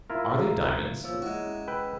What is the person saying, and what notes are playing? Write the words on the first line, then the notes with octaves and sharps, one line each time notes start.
"Are they diamonds?"
E4 F4 A#4 E5 A#5
F3 A#3 C#5 E6
G#3 E4 F#4 E5
C#4
B4 G5 E6